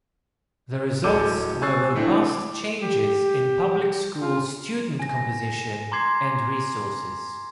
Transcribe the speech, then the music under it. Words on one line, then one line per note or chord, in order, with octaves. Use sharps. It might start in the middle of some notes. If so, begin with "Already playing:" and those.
The results were robust changes in public school student composition and resources.
D1 G#3 A4 D6 G6 D#7
G#5 C#6 E6 F#6 A6 C7
D3 E3 A3 C4 D4 E4
D6
G4
F4
G#5 A#6
A#5 C6 D6 G#6 C7